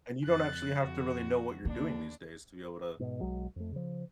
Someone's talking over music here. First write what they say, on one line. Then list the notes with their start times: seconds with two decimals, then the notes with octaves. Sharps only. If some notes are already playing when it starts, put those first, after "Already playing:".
And you don't actually have to really know what you're doing these days to be able to,
0.22 F2 F#6 A6
0.79 F2 F#4
1.65 D#2 A#3 D4
2.99 G#2 B2
3.20 B1 F#3 G#3
3.56 F2 A3
3.72 C#3 F3